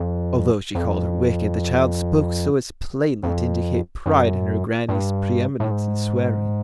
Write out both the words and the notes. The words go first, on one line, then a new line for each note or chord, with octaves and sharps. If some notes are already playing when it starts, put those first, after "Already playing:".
Although she called her wicked, the child spoke so as plainly to indicate pride in her grannie's pre-eminence in swearing.
Already playing: F2
F2
F2
F#2
G2
A2
G#2